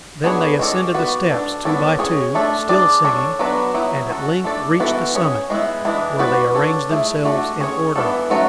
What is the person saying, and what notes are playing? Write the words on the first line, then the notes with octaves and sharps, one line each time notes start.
Then they ascended the steps, two by two, still singing, and at length reached the summit, where they arranged themselves in order.
B3 D4 G#4 C#5
G#3 C#4 F#4 A4 D5
B3 F#4 B4 D5
D4 A4 D5
B3 D4 A4 C#5
C#4 G#4 C#5
A3 D4 A4
D4 G#4 D5
D4 A4 C#5
F#3 B3 D4 F#4 B4
F#3 B3 E4
C#4 F#4 A4
A3 D4 A4 D5
E3 B3 F#4 A4
C#4 G#4 C#5
G#3 B3 E4
E3 G#3 D4
B3 F#4 B4 D5
D4 A4 C#5
A3 E4 G#4
A3 D4 F#4 A4
C#4 G#4 C#5
E3 B3 D4 A4
F#3 A3 C#4 F#4 A4